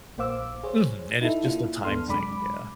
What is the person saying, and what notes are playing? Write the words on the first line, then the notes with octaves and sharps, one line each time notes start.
Mhm, and it's just a time thing. Yeah.
A#1 A#3 C5 F5 D6 E6
G#4 C5 C#5
D#4 E4 A4
A#3 D4 E4 F4
D#2 B3 D4 A4 C6 F6
F#2 C3 G#3 D4 B5 D6